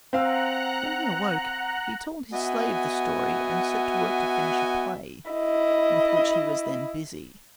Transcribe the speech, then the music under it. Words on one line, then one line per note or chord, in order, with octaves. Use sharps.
When he awoke, he told his slave the story, and set to work to finish a play with which he was then busy.
C4 F5 F#5 A#5 E6 F#6
B3 F#4 D#5 E5 G#5
E4 D#5